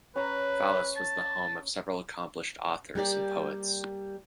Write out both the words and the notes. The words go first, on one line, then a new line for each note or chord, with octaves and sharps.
Fallis was the home of several accomplished authors and poets.
C#4 B4 A#5
A5
G3 A#3 G4 D5